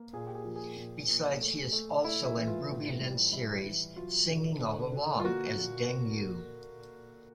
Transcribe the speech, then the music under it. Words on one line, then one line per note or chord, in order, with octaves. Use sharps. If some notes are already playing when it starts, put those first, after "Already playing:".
Besides, he is also in Ruby Lin's series "Singing All Along" as Deng Yu.
Already playing: A#3
A#2 G#4
G4
G#4
F3
G#4
A#2
A#2
A3
A3
A3 E4
E4
E3
F4
A2
G3
G3 E4
E3
F#3 F4
D3
D3
D3
F4
A#3 F#4
A#2